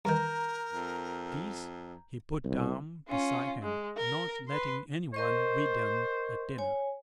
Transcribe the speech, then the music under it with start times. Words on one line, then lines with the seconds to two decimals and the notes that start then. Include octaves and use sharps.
These he put down beside him--not letting anyone read them at dinner.
0.05 G2 D#3 A#4 A#5 G6
0.73 F2
2.45 C2
3.08 C#4 F4
3.62 G#3
3.97 A#4
4.48 B4 C6
5.14 A#4 C5 D#5 C#6
6.58 C#5 G#5